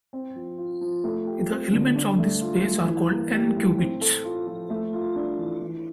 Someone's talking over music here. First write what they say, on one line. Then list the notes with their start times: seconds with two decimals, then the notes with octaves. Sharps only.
The elements of this space are called "n"-qubits.
0.13 C4
0.36 F3
0.58 F4
0.81 F3
1.04 A3
1.27 G4
1.50 C4
1.72 D3
1.95 D4
2.19 A3
2.41 F4
2.64 A3
2.87 E3
3.11 A#3
3.33 G3
3.56 A2
3.79 C4
4.01 A4
4.24 F4
4.47 F3
4.70 A3
4.93 F4
5.16 D4
5.39 E3
5.62 E3